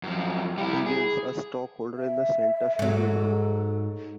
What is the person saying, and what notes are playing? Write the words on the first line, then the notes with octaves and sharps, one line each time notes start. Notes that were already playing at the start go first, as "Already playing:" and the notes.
Higgins, a stockholder in the Santa Fe Railroad.
F#2 F3
G3 E4
G#4
E5
G#2 F#3 A4